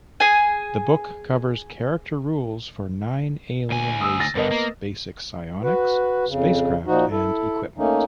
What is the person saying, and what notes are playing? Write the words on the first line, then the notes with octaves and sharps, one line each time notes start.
The book covers character rules for nine alien races, basic psionics, spacecraft and equipment.
G#4 G#5
D2 G#5
D#6 E6
A6 A#6
G2 D3 B3 A#4 D#5
A#3
F#4 B4
F2 C#3
A#2 F3 D#4 F#4
E4 A4
A3 A#3 C#4 D#4